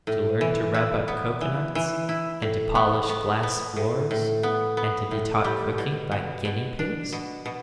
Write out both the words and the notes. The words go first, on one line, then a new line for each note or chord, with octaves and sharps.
To learn to rub up cocoa nuts, and to polish glass floors, and to be taught cooking by guinea pigs!
A2
E3
E4
B3
E3
E3
E4
A2
B3
B3
B3
A2
A2
B3
B3
A2
G3
B2
B2
B2
D4
B2
B2